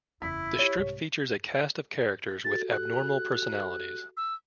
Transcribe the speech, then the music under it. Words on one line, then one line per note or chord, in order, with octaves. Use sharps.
The strip features a cast of characters with abnormal personalities.
F#1 E2 E4 B6
G4 C#5
C2 G#2
F#4 G4 A4 A6
F#6
E6